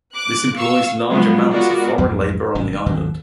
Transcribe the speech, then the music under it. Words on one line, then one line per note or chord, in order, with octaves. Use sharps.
This employs large amounts of foreign labor on the island.
D6 F#6
F5 C#6 E6
F3 F#3 G#3 B3 D4 F4
G#3 B3 F4 F#4 A#4 D5
B1 F2 G#2 G#3
G#1 A2 C3 D#3
G#1 D#2 B2 F#3